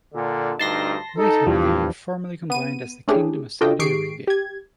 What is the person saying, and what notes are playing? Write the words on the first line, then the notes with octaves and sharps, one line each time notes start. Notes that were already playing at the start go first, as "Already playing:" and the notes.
Later they were formally combined as the Kingdom of Saudi Arabia.
A#2 D3
D2 G2 D#4 A5 C6 A#6
D#4 A4
E2 G2 F3 G3
B3 D#7
A3 C#4 D4 E4 G4 G#4
D4 F4 F#4 A4 D#5 G5
D#3 G4 G#4 C#6 C7 D7
G4 G#6